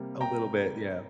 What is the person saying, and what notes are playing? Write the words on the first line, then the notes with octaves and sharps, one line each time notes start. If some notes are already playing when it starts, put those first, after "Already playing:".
A little bit, yeah.
Already playing: C3 G3 A#3
G5 A#5